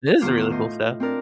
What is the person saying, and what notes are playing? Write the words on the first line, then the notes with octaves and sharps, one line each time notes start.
This is really cool stuff.
E2 D#3 F4 C5 D6
A2 C5 D#5
C4 D4 A#4 D5